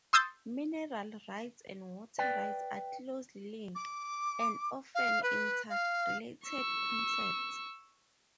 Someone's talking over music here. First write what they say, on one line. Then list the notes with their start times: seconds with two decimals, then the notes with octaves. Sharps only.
Mineral rights and water rights are closely linked, and often interrelated concepts.
0.13 C6 D#6 E6 G6 A6
2.18 B4 D5 G5
3.75 D6
4.95 F5
5.22 B4
5.69 F5
6.48 C#6 E6